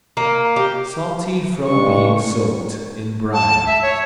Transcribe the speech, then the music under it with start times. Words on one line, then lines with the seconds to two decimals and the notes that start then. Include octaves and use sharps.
Salty from being soaked in brine.
0.17 A#3
0.56 G4
1.67 G2 G#3 C#6
3.33 A5
3.67 E5
3.82 C#5